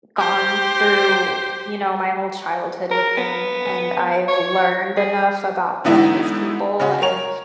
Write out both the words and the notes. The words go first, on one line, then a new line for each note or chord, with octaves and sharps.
gone through, you know, my whole childhood with them, and I've learned enough about them, as people, and,
G4 C5
A#4
B3
C#5
G#4
G#2 D3 E3 B3 D#4 E4
C#3 C#4 F#4
A#4 C#5 F7